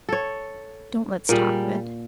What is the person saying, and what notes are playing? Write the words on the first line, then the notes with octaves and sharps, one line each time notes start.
Don't let's talk of it.
A4 C#5
A#2 G3 G#4 A#4